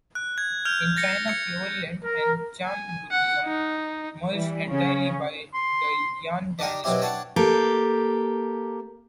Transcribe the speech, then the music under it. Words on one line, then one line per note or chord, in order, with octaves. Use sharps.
In China, Pure Land and Chan Buddhism merged entirely by the Yuan dynasty.
F#6
G#6
F6 G6 G#6 F7
A6 A#6 C#7
G#6 C#7
A#4
G#5
F#5
D#4
E3 G3
C#3 C#4
C6
D4 D#4 G4 A#4
B2 F#3 C4 C#4 E4 G4
D4 C#5 F#5 G5 A5
A#3 G4 A4